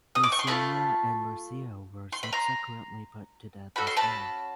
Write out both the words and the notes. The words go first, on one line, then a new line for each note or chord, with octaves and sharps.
Licinia and Marcia were subsequently put to death as well.
D#6
D6
C#6
C6
A3 D4 F4 A5 B5
C6
B5
A#5 C6
C#4 F#4 A4 B5
C6
A5 B5